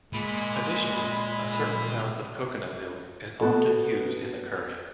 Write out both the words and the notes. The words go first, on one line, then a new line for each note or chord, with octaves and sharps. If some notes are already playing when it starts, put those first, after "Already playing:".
Additionally, a certain amount of coconut milk is often used in the curry.
A#2 G#3 B5
B3 F#4 A4